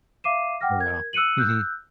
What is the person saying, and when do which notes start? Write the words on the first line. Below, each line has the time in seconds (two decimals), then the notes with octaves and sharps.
Yeah. Mhm.
0.24 E5 F5 D6 C7 D#7 E7
0.61 F#5 G5 D6 F6 A#6
0.79 A#4 G#6
1.13 E6 F#6 C#7 D#7 F#7
1.37 E6 F#6 G6